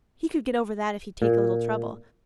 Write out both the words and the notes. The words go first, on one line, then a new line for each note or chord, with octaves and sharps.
He could get over that if he'd take a little trouble.
A#2